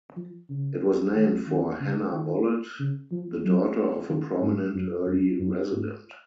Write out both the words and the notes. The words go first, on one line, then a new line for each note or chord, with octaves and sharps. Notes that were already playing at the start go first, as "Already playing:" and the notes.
It was named for Hanna Bullett, the daughter of a prominent early resident.
F3
C#3
D#3
D#3
C#3
D#3
C#3
F3
F#3
D#3
G#2
F#2
F2
F#2
G#2